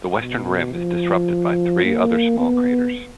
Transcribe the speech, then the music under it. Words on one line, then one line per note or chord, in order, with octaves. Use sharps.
The western rim is disrupted by three other small craters.
B2
F3
A#3
B3